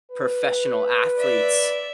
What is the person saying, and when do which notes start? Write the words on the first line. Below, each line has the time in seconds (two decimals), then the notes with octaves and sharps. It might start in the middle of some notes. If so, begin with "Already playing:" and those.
professional athletes
0.11 B4
1.18 D5 E5